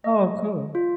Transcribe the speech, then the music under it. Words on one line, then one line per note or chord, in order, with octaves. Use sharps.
Oh, cool.
D#5
F4